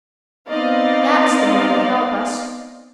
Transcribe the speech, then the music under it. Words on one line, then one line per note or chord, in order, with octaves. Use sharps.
That's the man to help us.
B3 C4 D#4 D5 D#5 F5